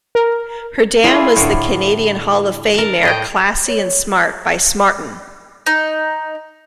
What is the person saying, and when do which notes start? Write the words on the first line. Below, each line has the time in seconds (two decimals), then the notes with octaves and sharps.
Her dam was the Canadian Hall of Fame mare Classy 'n Smart by Smarten.
0.15 A#4
1.04 E4 F4 G#4 D5
1.36 A2 D3
2.74 A#4 A5
3.03 A2 D#5 G5
3.67 C#5
5.66 D#4